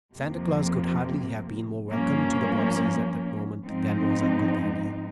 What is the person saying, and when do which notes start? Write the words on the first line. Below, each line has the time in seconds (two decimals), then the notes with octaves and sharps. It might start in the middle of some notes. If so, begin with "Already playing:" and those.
Santa Claus could hardly have been more welcome to the Bobbseys at that moment than was Uncle Daniel.
0.13 F2 C3 F3 A#3
1.88 G2 F3 A#3 C#4
3.65 G#2 F3 C4 D#4